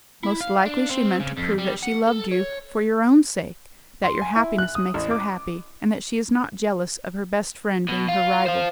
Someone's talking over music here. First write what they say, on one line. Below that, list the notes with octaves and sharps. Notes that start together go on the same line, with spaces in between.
Most likely she meant to prove that she loved you for your own sake, that your happiness makes her happy, and that she is not jealous of her best friend being her rival.
E4
F5
D4
C4
C#3
F2
G3
F#5
A4
C#5
C6
G#5
E4
F#6
D#6
A1
D6
B2
F4
C5 F5